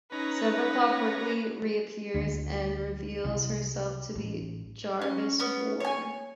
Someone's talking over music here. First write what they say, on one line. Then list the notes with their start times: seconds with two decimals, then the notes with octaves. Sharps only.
Silverclaw quickly reappears and reveals herself to be Jarvis' ward.
0.12 C#4 D#4 B4 A#5
2.14 D2
3.24 C2
4.15 A1
5.01 C#4
5.39 B3 C#4
5.80 C#5 G#5